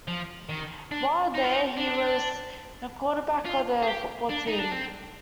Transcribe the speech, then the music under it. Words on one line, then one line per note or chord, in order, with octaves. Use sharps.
While there, he was the quarterback of the football team.
F3
D#3
D4
D#4
F4
D#4
D4
F4
G#4
G4
D4
D#4
D4
C4